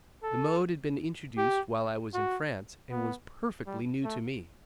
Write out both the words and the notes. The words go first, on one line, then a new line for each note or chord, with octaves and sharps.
The mode had been introduced while I was in France, and was perfectly new to me.
A4
G4
F#4
B3
G3
A3